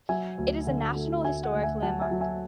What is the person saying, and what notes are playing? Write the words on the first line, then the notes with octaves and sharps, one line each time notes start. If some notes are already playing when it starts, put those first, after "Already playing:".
It is a National Historic Landmark.
F#3 E5 G#5
D2
D3
A3
D2 E5 G#5
F#5
D2
E5 G#5
F#3 F#5 A5
E5 G#5
F#3
E5 G#5